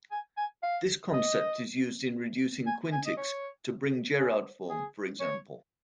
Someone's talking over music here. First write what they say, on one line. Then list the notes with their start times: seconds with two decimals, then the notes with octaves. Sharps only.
This concept is used in reducing quintics to Bring-Jerrard form, for example.
0.11 G#5
0.37 G#5
0.63 F5
1.13 D#5
2.66 G#5
2.92 G#5
3.06 D#5
3.17 C#5
4.18 G#4
4.70 G#4
5.20 C#5